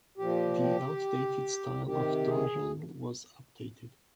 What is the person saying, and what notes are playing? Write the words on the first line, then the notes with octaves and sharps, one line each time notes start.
The outdated style of door handle was updated.
A#2 F3 G4
G4
C3 D#3 G4
G#4